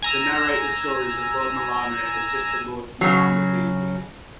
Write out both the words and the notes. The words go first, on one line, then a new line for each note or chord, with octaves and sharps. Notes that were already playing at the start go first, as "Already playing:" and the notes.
The narrate the stories of Lord Mallana and his sister Lord Yellama Devi.
G#5 A#5 E6
C#3 F#3